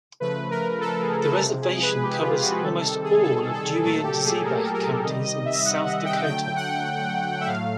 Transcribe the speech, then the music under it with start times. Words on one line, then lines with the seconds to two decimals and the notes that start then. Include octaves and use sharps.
The reservation covers almost all of Dewey and Ziebach counties in South Dakota.
0.20 C#3 F3 A3 B4
0.51 A#4
0.80 A4
1.02 G#4
1.22 A4
1.41 C3 F3 G#3
1.62 G#4
1.82 B4
2.02 G4
2.22 F4
2.42 F#4
2.63 C3 D#3 G3 A4
2.83 A4
3.03 G#4
3.23 A4
3.53 A4
3.83 A#2 F#3 A3 A4
4.04 G4
4.25 G#4
4.45 A#4
4.74 A#4
5.04 C3 D#3 G3 D#5
5.24 D#5
5.45 E5
5.65 F#5
5.85 F#5
6.05 G5
6.26 D3 F#3 A3 G5
6.56 F#5
7.41 E5
7.47 A2 F#3 A3 F5